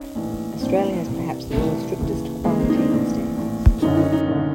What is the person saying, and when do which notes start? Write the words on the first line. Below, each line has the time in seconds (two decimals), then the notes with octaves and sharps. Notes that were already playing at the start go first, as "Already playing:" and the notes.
Australia has perhaps the world's strictest quarantine standards.
Already playing: C#4 D#4
0.15 A#1 A2 E3
0.61 A#1 A2 E3 C4 D4
1.07 C2 C3 E3
1.52 C2 C3 E3 A3
1.98 D#2 C#3 E3
2.44 D#2 C#3 E3 G#3 A#3
2.59 A#3 C4
2.70 D#4
2.75 C4 D4
2.90 A#1 A2 E3
3.36 A#1 A2 E3
3.82 F#1 F#2 D3 C#4 D#4
3.97 C#4 D#4
4.12 C#4 D#4
4.28 F#1 D3